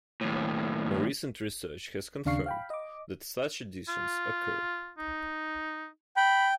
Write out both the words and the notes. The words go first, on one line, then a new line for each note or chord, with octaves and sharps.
More recent research has confirmed that such additions occurred.
D#2 A2
D#2 C#3 D4 F5 C#6 C7
F5 G5 B5
D#5 D6
F4
D#4
G5 B5